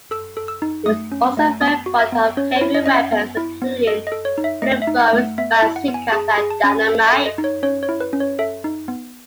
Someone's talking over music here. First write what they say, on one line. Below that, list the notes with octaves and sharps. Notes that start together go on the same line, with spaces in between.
He is also very fond of heavy weapons, including flamethrowers, bazookas, and dynamite.
A4 E6
A4
E6
D#4
A3 D#6
C#4
A3
B3 D#6
F#4
E5
B3
C#4 C#5
C#5
E4
D#5
C#4 D#5
E5
B3
E4
B3
A4 D#5
D#5
A4
C#5
D#4
E5
A3 D#5
E5
D#4
F#5
A3
F#5
B3 E5
E5
E4
F#5
B3
G#5
G#4 A5
B5
G#4
A5
C#4
G#5
A4
E5
A4
D#5
D#4
C#5
C#4 C#5
C#5
E4
B4
C#4
C#5
A4 E5
D#4
B3